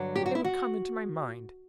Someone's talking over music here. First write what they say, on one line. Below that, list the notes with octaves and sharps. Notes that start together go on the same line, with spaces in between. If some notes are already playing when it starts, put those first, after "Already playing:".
They would come into my mind.
Already playing: G2 D3 F#3
G4
F#4
E4
F#4